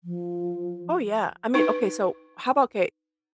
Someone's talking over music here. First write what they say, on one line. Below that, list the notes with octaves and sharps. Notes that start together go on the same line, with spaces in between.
Oh, yeah. I mean, okay. So how about, 'kay
F3
D#4 B4